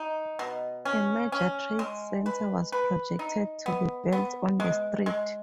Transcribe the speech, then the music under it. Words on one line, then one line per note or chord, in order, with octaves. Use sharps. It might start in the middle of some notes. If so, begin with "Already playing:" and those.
A major trade center was projected to be built on the street.
Already playing: D#4
B2
C#4
C#4
G#3
B4
B4
D#4
B3
B3
G#3
G#3